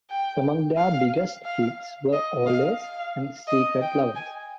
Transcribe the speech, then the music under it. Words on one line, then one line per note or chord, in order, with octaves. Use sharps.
Among their biggest hits were "Always" and "Secret Lovers".
G5
F5
F5
D#5
F5
F5
D#5
G5
G#5